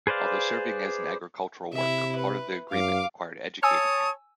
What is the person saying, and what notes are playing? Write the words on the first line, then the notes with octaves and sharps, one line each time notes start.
Although serving as an agricultural worker, part of the agreement required educating him.
G#4 B4 C5 D5 F5
C3 E4 E5
B4
F#2 F5 D6
C#5 G#5 A5 D#6 E6